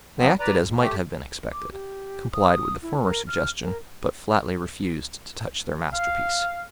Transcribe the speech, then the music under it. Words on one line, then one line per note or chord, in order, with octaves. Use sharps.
They acted as might have been expected: complied with the former suggestion, but flatly refused to touch their masterpiece.
F3 F#3 B3 C4
B4 D5 A#5
D#2
A3 G4
D6
G4
D#6
E4
A#4
F6
A#4
F5